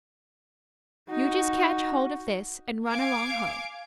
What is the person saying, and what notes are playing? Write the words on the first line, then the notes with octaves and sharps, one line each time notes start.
You just catch hold of this and run along home.
D#4 F#4
F5 G#5 D6 G#6 D7